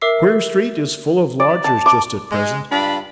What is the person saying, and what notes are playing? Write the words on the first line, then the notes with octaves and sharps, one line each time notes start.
'Queer Street is full of lodgers just at present!
A#4 E5 D6 E6 C7
D5
A5
D6
G#3
G2 D4 F4 B5